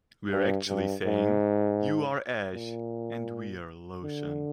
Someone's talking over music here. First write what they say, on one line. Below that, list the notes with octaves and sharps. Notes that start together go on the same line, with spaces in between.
We're actually saying, 'You are ash and we're lotion.
G2
G2
G#2
A#2
D3